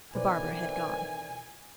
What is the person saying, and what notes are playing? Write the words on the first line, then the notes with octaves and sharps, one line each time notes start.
The barber had gone.
F2 B2 D#3 E3 B4 C5 D5 G#5